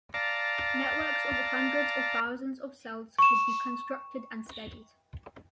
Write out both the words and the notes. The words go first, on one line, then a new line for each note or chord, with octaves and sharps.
Networks of hundreds or thousands of cells could be constructed and studied.
D5 F5 A5 A#5
C#6 E7